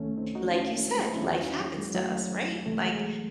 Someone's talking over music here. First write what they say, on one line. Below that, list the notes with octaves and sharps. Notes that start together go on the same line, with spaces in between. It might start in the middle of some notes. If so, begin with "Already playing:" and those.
like you said, life happens to us, right? Like
Already playing: C2 C3 D#3 A3 C#4
C4 D#4
D#4 F#4
C#4 E4
A3 C#4
G#3 C4
F#3 A3
C4 D#4
C#4 E4
E2 D#3 D#4 F#4
C#4 E4
F#3
G#3
F#3 A3
C#2 C3 E3 A3
G#3
F#3
G#3